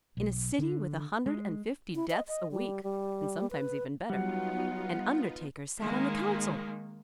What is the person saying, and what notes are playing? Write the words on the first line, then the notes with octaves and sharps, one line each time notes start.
In a city with a hundred and fifty deaths a week, and sometimes even better, an undertaker sat on the council!
B1
D3
G#3
E4
D#5
D#5
G3
G3
B4
F#3 G3 B3 D#4 F4 F#5
D#3 G#3 A#3